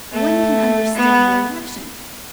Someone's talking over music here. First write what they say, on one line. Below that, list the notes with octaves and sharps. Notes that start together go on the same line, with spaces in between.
One can understand the reaction.
A3
B3